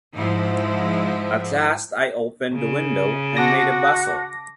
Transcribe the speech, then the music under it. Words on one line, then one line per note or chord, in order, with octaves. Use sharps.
At last I opened the window and made a bustle.
G#2 F3 G#3 E4
C#3
F#4 A5 D6 A#6